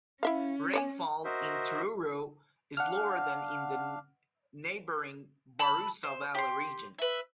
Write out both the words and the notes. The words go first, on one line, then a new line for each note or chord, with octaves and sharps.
Rainfall in Truro is lower than in the neighbouring Barossa Valley region.
C#4 E4 E5 F5
C#5 D5 G#5
F#4 A#4 C5 D#5 E5
D4 F5 F#5 F6
A5 B5 E6
C5
G4 C6
B4 E5